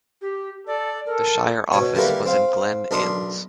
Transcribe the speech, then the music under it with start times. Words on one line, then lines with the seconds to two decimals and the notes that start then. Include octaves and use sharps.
The shire office was in Glen Innes.
0.22 G4
0.67 A4 D5
1.06 A4 A#4
1.72 B2 C#5 C#6
1.95 D3 G3 A#3 E4 A#4 B4
2.26 C4 F5
2.91 B1 D4 A#4 D#5 B5 C6